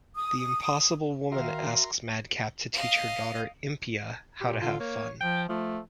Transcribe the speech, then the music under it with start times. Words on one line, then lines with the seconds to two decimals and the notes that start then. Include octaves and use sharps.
The Impossible Woman asks Madcap to teach her daughter Impia how to have fun.
0.16 D#6
1.32 D#3 F#4 A#4 E5 F5 C6
2.74 D#5 F5
4.41 A#2 G4
4.62 D3 F4
4.80 A#3 C#5
5.21 F3 G5
5.49 F3 A3